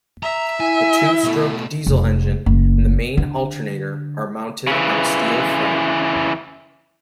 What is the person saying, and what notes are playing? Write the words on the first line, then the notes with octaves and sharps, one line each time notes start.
The two-stroke diesel engine and the main alternator are mounted on a steel frame.
E5 A#5
E4 G#5
B2 A3
F1
F#1
D3
C#3 E3